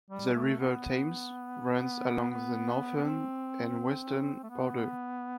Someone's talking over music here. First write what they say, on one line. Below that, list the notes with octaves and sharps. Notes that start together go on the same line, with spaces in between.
The River Thames runs along the northern and western border.
G3
A3
B3
B3
B3
C4
A3
B3